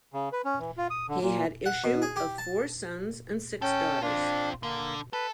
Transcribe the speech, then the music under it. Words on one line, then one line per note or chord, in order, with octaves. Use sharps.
He had issue of four sons and six daughters.
C#3
B4
C#4
E3
F4
D#6
D3
A#2
F#5
B2
G#4
G4
A5
C#4 A4 G5
C4 D4 F4
D3 A#3
A4 B4